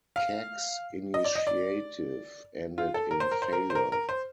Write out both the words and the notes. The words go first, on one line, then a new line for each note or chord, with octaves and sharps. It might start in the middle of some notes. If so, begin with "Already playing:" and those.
Kak's initiative ended in failure.
F5
D#5
D5
D#5
D5
F4
A4
A#4
C5
A#4
C5
A#4
C5
A#4
A#4
C5